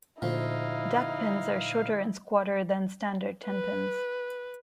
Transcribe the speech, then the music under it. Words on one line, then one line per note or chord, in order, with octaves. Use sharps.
Duckpins are shorter and squatter than standard tenpins.
D2 A#2 F3 D#4 E4 F5
B4